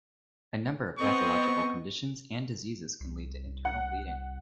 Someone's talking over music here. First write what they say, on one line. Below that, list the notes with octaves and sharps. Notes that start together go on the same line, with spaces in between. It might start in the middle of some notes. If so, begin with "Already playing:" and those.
A number of pathological conditions and diseases can lead to internal bleeding.
B3 C4 D#5 C#6
C2
F#5